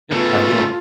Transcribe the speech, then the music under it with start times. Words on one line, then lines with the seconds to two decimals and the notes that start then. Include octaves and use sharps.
Yep, have a good one.
0.12 C#3 A3 B3 F4 A4